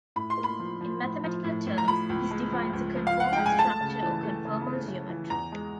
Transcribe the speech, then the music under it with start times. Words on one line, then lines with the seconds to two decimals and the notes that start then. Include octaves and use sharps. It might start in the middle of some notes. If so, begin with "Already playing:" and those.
In mathematical terms, this defines a conformal structure or conformal geometry.
0.16 A2 B5
0.30 C6
0.38 A#3
0.44 B5
0.59 F3
0.81 F3
1.02 A2
1.24 F3
1.44 A2
1.67 A2
1.78 A#5
1.87 F3 B5
2.09 C#2
2.31 G#3
2.52 F3
2.73 C#2
2.95 F3
3.07 F5
3.17 C#2 F#5
3.33 G#3 G5
3.46 G#5
3.59 A3 A5
3.81 C#3
4.02 E3
4.23 A3
4.45 C#3
4.66 C#3
4.88 C#3
5.09 E3
5.30 E2 A#5
5.52 G#3